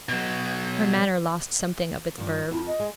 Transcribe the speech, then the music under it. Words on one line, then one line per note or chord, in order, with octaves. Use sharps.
Her manner lost something of its verve.
B2 F#3
G2 F3
F2 E4
D#5
G#3